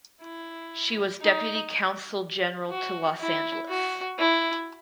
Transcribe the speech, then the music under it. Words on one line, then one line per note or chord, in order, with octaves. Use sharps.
She was deputy consul general to Los Angeles.
E4
D#4
F#4
E4
F#4
E4